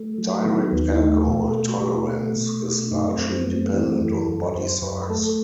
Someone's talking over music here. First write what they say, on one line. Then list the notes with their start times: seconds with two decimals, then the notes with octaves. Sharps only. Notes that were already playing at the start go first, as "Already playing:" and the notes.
Direct alcohol tolerance is largely dependent on body size.
Already playing: A3
0.18 F#3
0.45 D#3 B3
0.73 D#2 B3
0.91 E4
1.00 A3 D#4
1.27 B2 A4
1.55 A3
1.68 F#4
1.82 B2
2.09 A3
2.36 B2
2.64 A3
2.91 F#2 D#4
3.12 C4
3.18 F#2
3.32 C4
3.43 A3 B3
3.53 C4
3.66 B3
3.73 E3 C4
4.01 F#2
4.14 A4
4.28 F#2
4.55 F#2 C5
4.82 F#2 B4
5.10 A3 A4